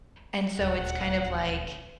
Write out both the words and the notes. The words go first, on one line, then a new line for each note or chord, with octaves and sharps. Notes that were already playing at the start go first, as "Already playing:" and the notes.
and so it's kind of like,
D#1 D2 F#5